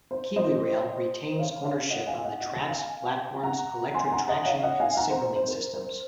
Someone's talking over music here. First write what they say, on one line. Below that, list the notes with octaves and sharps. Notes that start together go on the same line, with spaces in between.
KiwiRail retains ownership of the tracks, platforms, electric traction and signalling systems.
C5
C5 D#5
C#5 F5
C#5 F5
D#5 F#5
F5 G#5
D#5 F#5
D#5 F#5
F5 G#5
F#5 A#5
G#5 C6
F#5 A#5
D#5 F#5
C#5 F5
D#5 F#5
F5 G#5
F#5 A#5
C5
C5
C5
A#4
C5